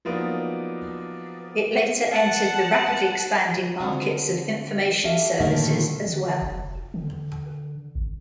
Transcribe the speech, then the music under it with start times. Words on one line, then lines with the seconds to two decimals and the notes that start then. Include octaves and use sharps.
It later entered the rapidly expanding markets of information services as well.
0.05 F3 F#3 A#3 B3 D4 D#4
2.11 F#5 A5
3.80 D3 C4 D4 F4 F#4
5.04 F#4 G4 A4 E5 F5
5.40 A#2 D3 D#3 G3 A3 A#3
6.06 D3
6.42 F1
6.94 D3
7.95 G#1